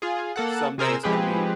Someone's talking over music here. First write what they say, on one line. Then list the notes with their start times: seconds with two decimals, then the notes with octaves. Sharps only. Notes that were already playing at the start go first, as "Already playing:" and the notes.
someday is gonna be
0.02 F4 G#4
0.36 A#3 A4 F#5
0.78 C3 G#4 A#4 C5 E6
1.03 F3 G#3 C4 G4 G#4 B4